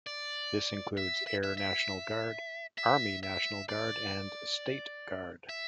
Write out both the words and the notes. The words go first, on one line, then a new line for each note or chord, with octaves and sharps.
This includes Air National Guard, Army National Guard, and State Guard.
D5
E5
E5
E5
E5
E5
E5
D5
E5